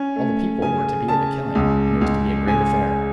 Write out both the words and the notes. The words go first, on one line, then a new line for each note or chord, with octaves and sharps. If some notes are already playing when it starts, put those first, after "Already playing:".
All the people were to be at the killing, and it was to be a great affair.
Already playing: C#4 G#5
A3
C#3 G#5
C#3 A5
C#2
C#2
C#3 G#5